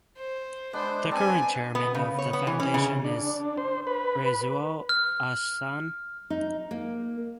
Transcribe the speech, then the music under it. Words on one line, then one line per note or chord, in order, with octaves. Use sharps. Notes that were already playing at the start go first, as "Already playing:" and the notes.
The current chairman of the foundation is Rezaul Ahsan.
C5
G#3 B3 D4 C5
B3 C4 D4 G#5 A5
B3
C#3
C#5
B3
E3
C#4
C#3
D4
C5
B4
F6
D#4
A#3